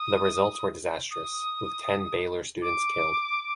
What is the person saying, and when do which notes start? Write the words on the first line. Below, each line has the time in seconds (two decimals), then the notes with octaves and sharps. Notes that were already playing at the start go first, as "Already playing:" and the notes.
The results were disastrous, with ten Baylor students killed.
Already playing: D#6
1.11 D#6
2.62 D6